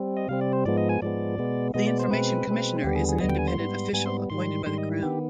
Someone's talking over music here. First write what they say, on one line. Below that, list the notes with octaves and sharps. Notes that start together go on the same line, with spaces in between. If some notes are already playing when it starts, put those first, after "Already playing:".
The Information Commissioner is an independent official appointed by the Crown.
Already playing: G3 C4
D#5
C3 G3 C4 F5
D5
C5
G#2 F3 G#3 B3 D5
D#5
G#5
G#2 F3 G#3 B3 D5
B2 G#3 B3
B2 G#3 B3 D#5
D5
C5
B2 G#3 C4 B4
B2 G#3 C4
D#2 D3 G3 B3 G4
G#4
G#4
D#2 D3 G3 B3 D#5
G5
G#5
C6
G#2 G3 B3
G#2 G3 B3 G#5
C6
G#2 D#3 G3 C6
G#2 D#3 G3 C6
D#5
D#3 B3 G4